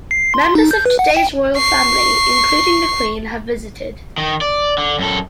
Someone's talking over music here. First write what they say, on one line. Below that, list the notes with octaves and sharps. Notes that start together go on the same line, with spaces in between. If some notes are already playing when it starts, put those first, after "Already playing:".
Members of today's Royal Family, including the Queen, have visited.
C7
C6
D#4
G6
B4
F#5
G5
C#6 C7
D#3
D5
D3
F#2 A4